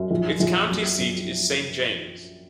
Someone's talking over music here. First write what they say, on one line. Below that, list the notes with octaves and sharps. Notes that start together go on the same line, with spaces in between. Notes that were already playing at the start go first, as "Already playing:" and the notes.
Its county seat is Saint James.
Already playing: F#2
A#1
A#1
F#2
F#2